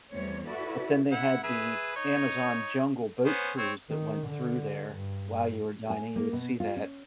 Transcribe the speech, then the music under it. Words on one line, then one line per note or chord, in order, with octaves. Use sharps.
but then they had the Amazon jungle boat cruise that went through there while you were dining, you would see that,
E2 G3 A3 C4 C#5
E4 F#4 A4 B4 D5
E4 F#5
G#4 B4 E5
D#4 C#5
B3 C#4 C5
C4 C#5
D#3
D3
G2
G#5
A#3
B2
F4
C#4